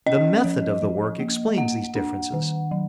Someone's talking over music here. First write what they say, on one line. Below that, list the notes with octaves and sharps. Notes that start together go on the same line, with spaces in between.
The method of the work explains these differences.
C#4 D#5
F3
F3
A#3
A#3 F#5
D4
D#3
F#3